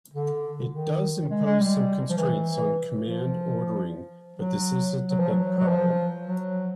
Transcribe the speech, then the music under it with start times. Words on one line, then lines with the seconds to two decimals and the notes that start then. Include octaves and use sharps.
It does impose some constraints on command ordering, but this isn't a big problem.
0.13 D3
0.72 D#3
1.31 G#3
1.45 G#3
1.59 G3
2.10 F3
2.17 E3
3.06 F3
4.36 F#3
5.10 F#3
5.19 F3
5.30 F#3
5.58 F#3
5.68 F3
6.27 F#3